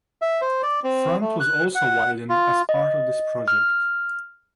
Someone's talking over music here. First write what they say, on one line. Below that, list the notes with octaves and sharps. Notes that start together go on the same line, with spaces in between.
Front was also widened as part of this project.
E5
C5
D5
C4
A3
F#6
F#5
F4
D#5
F6